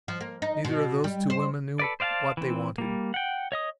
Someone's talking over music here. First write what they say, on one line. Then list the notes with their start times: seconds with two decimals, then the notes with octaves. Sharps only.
Neither of those two women knew what they wanted.
0.08 F3
0.21 A#3
0.42 D#4
0.64 B2
1.04 G3
1.30 C5
1.79 A4 B4 D5
2.00 C5 D5 F5 F#5 A5
2.37 E3 C4
2.78 G3 A#3
3.14 F#5 G5
3.52 C#5 D#5 D#6